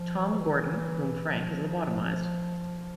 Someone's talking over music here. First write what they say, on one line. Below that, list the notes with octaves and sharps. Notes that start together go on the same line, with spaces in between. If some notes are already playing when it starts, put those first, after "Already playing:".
Tom Gordon, whom Frank has lobotomized.
Already playing: F3
F3
E3
F3